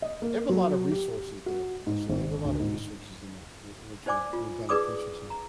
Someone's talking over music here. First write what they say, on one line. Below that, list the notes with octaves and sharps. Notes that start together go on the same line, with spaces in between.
They have a lotta resources there, actually, they have a lotta resources in there, where where true real beneficial stuff.
D#5
A#3
F#3
G4
F#4
G#2
G#1
D2
G#2
D#4 C5 D5 G#5 D6
F4
D#4 G#4 B4 D5 D6 D#6
A#5